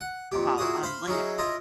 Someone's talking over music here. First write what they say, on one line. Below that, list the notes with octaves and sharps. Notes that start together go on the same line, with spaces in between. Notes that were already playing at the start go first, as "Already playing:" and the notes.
while on land
F#5
F2 A#2 G4
A#2 E4 F#4 G#4 D#6
C5 F5 B5 C6
F#3 C#4 D#4 E4 G#4
E4 F4 D#5 A#5